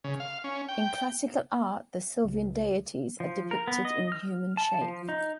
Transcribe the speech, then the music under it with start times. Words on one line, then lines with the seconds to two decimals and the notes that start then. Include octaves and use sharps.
In classical art the sylvan deities are depicted in human shape.
0.04 C#3
0.20 F5
0.44 C#4
0.68 G5
2.25 C#2
3.20 F3
3.51 A#4
3.68 B3
3.85 D#5
4.12 F6
4.57 A5
4.81 F3
5.09 D#4